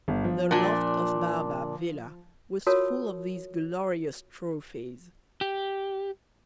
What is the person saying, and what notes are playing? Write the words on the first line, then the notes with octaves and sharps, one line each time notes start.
The loft of Baobab Villa was full of these glorious trophies.
G1
F3
A#2 D4
F4 F#4 A#4 C#5 A5 D#6
G4